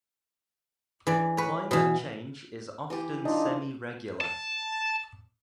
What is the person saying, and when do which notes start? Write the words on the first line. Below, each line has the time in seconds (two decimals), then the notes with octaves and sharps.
Climate change is often semi-regular.
1.07 E3 D5
1.37 B4 C#5
1.71 B2 E3
2.90 E3 G4
3.25 D4 D#4 F4
4.21 A5